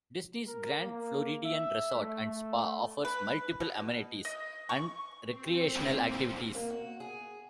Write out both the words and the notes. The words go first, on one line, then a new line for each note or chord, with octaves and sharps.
Disney's Grand Floridian Resort and Spa offers multiple amenities and recreational activities.
A#4
A#3
E5
A3
B4
B2
D#5
C#6
C4
A#3
F#4
G#4